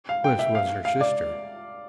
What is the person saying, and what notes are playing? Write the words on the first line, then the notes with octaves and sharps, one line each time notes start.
Puss was her sister.
F5
G5
E5
F5
F5
D5